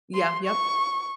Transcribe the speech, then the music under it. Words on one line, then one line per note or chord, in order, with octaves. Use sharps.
Yeah, yep.
C6
C#6